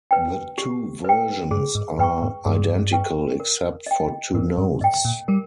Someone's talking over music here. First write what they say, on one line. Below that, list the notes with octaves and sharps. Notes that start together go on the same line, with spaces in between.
The two versions are identical except for two notes.
B4 G5
G4
B4 G5
G2 G#4
G#2
G2 B4 G5 C#6
G#2
G2 G#4
B4 G5 C#6
A#4
D#5 G5
G#2 A#4
G2
G#2 D#5 G5
A#2
G3 A#4